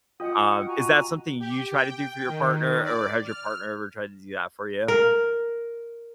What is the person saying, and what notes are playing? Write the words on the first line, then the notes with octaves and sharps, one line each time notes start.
Um, is that something you try to do for your partner, or has your partner ever tried to do that for you?
F4 D#5 F#5 G5 D#6
F#4 G#5 A#5
G4
G5
D#3
D5
F6
A#4